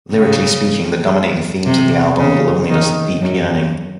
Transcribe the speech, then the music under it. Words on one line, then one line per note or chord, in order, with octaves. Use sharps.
Lyrically speaking, the dominating themes of the album were loneliness and deep yearning.
C#3
C3
C#3
D#3
F#2 F#3